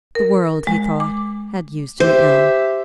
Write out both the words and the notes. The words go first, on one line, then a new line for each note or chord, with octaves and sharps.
The world, he thought, had used him ill.
A#4
G#3
D6
G4 C5 E5